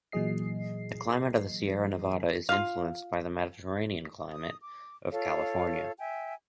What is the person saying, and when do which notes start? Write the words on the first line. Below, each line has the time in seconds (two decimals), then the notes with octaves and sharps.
The climate of the Sierra Nevada is influenced by the Mediterranean climate of California.
0.12 A#2 E3 F#3 G#4 D#5 C7
2.49 F4 F5
4.32 D#6
4.61 D6
5.12 F4 A4 C#5 F5
5.99 E5 G5 G#5